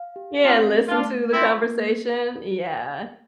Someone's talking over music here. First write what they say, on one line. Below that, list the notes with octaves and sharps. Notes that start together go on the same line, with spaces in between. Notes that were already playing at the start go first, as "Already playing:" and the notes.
Yeah, and listen to the conversation, yeah.
Already playing: F5
G4
C4 D4 F4
A3
D4 F4
A3
C4 E4 F4
A#3